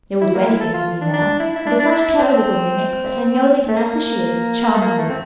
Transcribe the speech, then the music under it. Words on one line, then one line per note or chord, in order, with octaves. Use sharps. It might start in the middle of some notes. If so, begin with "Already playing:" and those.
They will do anything for me now, and are such clever little mimics that I know they can act the charades charmingly.
E4
A#3
E4
A4
F4
D4
D4
E4
E4
D4
D4
E4
E4
C4
A3
A#3
A3
A#3
A3
C4